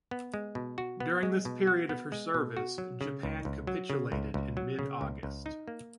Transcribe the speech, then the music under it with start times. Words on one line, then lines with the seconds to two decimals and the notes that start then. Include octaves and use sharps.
During this period of her service, Japan capitulated in mid-August.
0.11 B3
0.34 G#3
0.55 B2
0.78 F#4
1.00 B3
1.23 G#3
1.45 B2
1.67 F#4
1.89 B3
2.12 G#3
2.34 B2
2.57 F#4
2.78 F#3
3.01 C#3
3.23 C#2
3.45 C#2
3.67 F#3
3.90 C#3
4.12 C#2
4.34 C#2
4.57 F#3
4.79 C#3
5.01 C#2
5.23 C#2
5.46 D#4
5.68 A#3